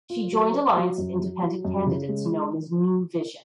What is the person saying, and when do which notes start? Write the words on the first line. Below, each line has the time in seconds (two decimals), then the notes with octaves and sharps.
She joined alliance of independent candidates known as New Vision.
0.10 F4
0.32 F#3
0.54 C5
0.77 F#3
0.98 F#2
1.20 F#3
1.42 F#3
1.65 F#2
1.86 C#3
2.08 G#3